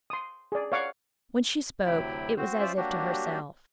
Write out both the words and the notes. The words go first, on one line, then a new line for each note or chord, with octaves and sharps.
When she spoke, it was as if to herself.
C6 D#6
G#4 D5
C#5 D5 F5 F#5 D6
D2 C3 F#3 E4 G5 B5
C4 F#4 C5
C#4 F4 C5 D5 E5
F#3 G3 A#3 D4 F#4 G4